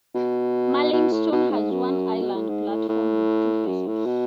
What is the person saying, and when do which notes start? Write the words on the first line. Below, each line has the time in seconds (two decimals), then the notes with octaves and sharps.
Merlynston has one island platform with two faces.
0.15 B2
0.92 B2
1.12 A2
1.32 B2
1.51 G#2
1.71 F#2
2.22 B2
2.35 A2
2.49 G#2
2.69 A2
2.89 A2
3.67 F#2
3.87 A2
4.06 B2